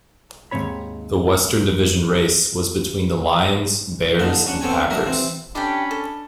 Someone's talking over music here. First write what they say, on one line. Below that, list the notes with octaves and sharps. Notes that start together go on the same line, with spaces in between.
The Western Division race was between the Lions, Bears and Packers.
D#2 G#2 C3 C4 C#5 B5
A#1 A#2 D3 D#4 A5
C#4 D4 F#5
B3 C4 A4 C#5 G5 G#5
F#3 A#3 D4 A#4 E5
E3 C4
C#4 D4 G4 A4 G5 B5
A4